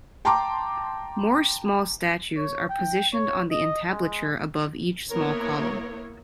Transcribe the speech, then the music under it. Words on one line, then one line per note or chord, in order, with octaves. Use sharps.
More small statues are positioned on the entablature above each small column.
G5 A5 A#5 C6 D6
C#5
G5
C#5
D#5
G#3
A#3 B3 E4 A#4 C#5